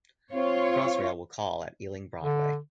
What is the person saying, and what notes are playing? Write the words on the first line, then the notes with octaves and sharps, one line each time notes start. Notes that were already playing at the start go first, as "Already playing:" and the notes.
Crossrail will call at Ealing Broadway.
C4 F4 C#5
D3